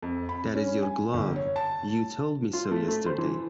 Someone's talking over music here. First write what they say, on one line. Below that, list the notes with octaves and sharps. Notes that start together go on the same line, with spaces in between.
That is your glove; you told me so yesterday.
F2
B5
C#4
G#5
G1
C#5
A5
F4
A3
A3
C5
E3